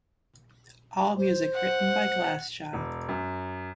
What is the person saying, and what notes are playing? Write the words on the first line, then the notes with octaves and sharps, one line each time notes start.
All music written by Glassjaw.
C5
F#5
E1
F#2